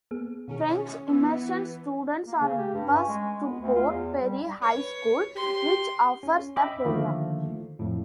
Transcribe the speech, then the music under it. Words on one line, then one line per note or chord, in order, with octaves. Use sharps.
French Immersion students are bused to Port Perry High School, which offers the program.
A#3 B3 G#4
B2 D#3 C#4 G#4
E3 B3 C6 E6
A#3
C#3
G4
G2
C#4
G#3
B3
D2
F4
E2
G3
B4 C#5
G4 C6
C#4
D#5 E5 G5 B5 D6
D3 D#3 F3 A3 A#3
F2 A2